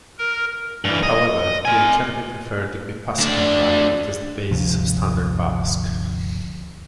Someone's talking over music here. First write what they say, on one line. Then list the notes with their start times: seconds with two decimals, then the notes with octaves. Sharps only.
However, the Academy preferred the Guipuscoan dialect as the basis of Standard Basque.
0.19 A#4
0.85 G2 E3
1.03 D#5
1.65 A#4 G#5
3.18 D2 D4
4.51 G1 D2 C3 F3